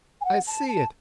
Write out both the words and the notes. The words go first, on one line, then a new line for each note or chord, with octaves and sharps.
I see it!
G#5
F#5
A5
A5